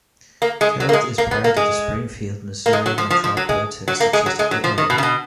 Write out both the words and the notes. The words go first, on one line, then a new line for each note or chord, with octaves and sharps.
Celt is part of the Springfield, Missouri Metropolitan Statistical Area.
A#3
G#3
F#3
A#3
G#3
A#3
B3
A#3
G#3
A#3
G#3
F#3
F3
F3
F3
F#3
G#3
F#3
A#3
G#3
F#3
G#3
F#3
F3
D#3
B2
C#3
B2